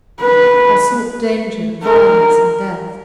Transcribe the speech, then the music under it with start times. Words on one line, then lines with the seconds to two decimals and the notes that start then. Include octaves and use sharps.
I sought danger, violence, and death.
0.21 B4
1.84 A#4